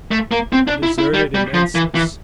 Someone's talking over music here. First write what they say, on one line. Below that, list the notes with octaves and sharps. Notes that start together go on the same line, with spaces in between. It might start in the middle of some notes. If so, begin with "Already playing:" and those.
A deserted immenseness.
A3
A#3
C4
D4
E4
E4
G3
G3
F3
E3
E3